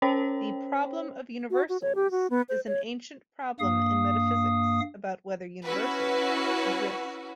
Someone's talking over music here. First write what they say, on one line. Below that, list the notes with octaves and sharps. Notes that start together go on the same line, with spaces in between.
"The problem of universals" is an ancient problem in metaphysics about whether universals exist.
C#4 C5 C#5 G5
F#4
F#4
C#5
G4
F#4
B3
C5
C#5
G2 A#3 F5 D#6
C#4 E4 F#4 B4